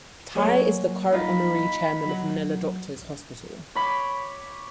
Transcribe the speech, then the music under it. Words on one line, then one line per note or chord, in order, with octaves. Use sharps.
Ty is the current honorary chairman of Manila Doctors Hospital.
F#3 A#3 G#4 C5 C#5
D#4 F4 B5
F#3 F#4
C#5 B5 D6